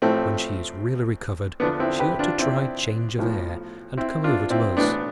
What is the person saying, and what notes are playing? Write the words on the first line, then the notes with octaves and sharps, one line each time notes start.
When she is really recovered, she ought to try change of air, and come over to us.
A1 A2 F3 A3 C4
E2 D3 F3 B3 D4
C4 E4
G4 B4
D4 F4
C4 E4
B1 A2 F3
C4 E4
D4 F4
C4 E4
B1 A2 E3 B3 D4